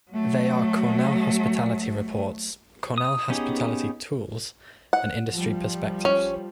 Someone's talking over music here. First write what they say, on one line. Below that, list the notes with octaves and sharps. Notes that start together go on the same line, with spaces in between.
They are Cornell Hospitality Reports, Cornell Hospitality Tools, and Industry Perspectives.
F#3 A3
D#6
B3 C#4 D#4 G4 G#4
F#5
F3 G3
C#4